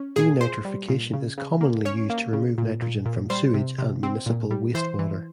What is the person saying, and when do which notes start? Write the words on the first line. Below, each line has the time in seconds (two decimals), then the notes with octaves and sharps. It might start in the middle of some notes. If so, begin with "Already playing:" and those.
Denitrification is commonly used to remove nitrogen from sewage and municipal wastewater.
Already playing: C#4
0.16 A#2 G#4
0.40 A#2 C5
0.65 G3
0.89 A#2
1.14 C#3
1.38 C#3
1.61 A#3
1.85 C#4 C#5
2.10 A#3
2.33 C#3
2.58 A#2
2.82 A#2
3.06 A#2
3.30 G3 C5
3.54 C3
3.78 C3
4.03 C4
4.26 A#2
4.51 G3
4.75 E3 C5
4.99 E3